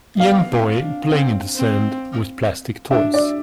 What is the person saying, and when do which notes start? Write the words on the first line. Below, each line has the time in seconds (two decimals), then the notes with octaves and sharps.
Young boy playing in the sand with plastic toys.
0.20 B3 F5
0.51 C4
0.81 D4
1.11 C4
1.55 C4
2.91 D4 E5
3.14 D5